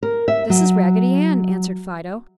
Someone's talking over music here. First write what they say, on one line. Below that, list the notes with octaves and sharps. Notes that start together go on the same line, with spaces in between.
"This is Raggedy Ann," answered Fido.
A#4
E5
F#3